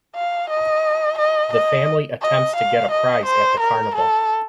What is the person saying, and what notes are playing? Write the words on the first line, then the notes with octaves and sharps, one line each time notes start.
The family attempts to get a prize at the carnival.
F5
D#5
D#5
D#5
D#5
F5
D#5
C5
A#4
A4